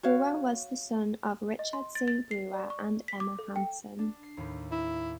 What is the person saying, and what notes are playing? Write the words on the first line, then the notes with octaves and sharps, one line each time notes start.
Brewer was the son of Richard C. Brewer and Emma Hanson.
F#4 C#5 F5
D#5
C6
A6
A6
C7
D5
C#6
B6
D6
A4
G5
D4
C7
D#2 A2
E4